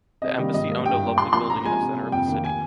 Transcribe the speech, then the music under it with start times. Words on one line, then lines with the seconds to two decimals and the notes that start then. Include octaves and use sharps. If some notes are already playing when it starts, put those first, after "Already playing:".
The embassy owned a lovely building in the center of the city.
0.22 C3 D#5
0.38 D#3 G3 A#3
0.53 G#2 D#5
0.70 G3 A#3
0.86 G2 G5
1.02 G3 A#3
1.17 A#2 C6
1.33 F3 A#3 C6
1.49 A#2 A#5
1.65 F3 G#3 G#5
1.81 C3
1.96 G3 A#3
2.12 F2 G5
2.28 D#3 A#3
2.44 G#5